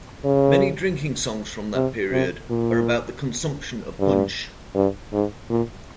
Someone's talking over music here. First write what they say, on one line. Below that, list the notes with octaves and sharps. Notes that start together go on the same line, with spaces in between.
Many drinking songs from that period are about the consumption of punsch.
C#3
C3
C3
A#2
G2
G2
G#2
A#2